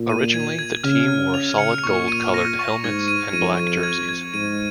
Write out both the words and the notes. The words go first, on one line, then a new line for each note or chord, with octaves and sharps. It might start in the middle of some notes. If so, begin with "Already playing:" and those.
Originally, the team wore solid gold-colored helmets and black jerseys.
Already playing: A#2
D#7
G#6
G#6
C#3 F6
F6
F7
C#7
A#2 C#6
D#7
A#6
C#6
G#2 G#6
D#7
F2 D#7
D#7
G#6
G#6
G#2 D#7